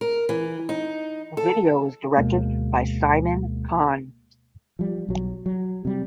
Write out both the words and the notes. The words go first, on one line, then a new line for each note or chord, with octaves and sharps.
The video was directed by Simon Cahn.
A#4
E3
D#4
A4
D2 B2 G#3 A#3
F3 G3
B1 F#3
F#3
C3 G3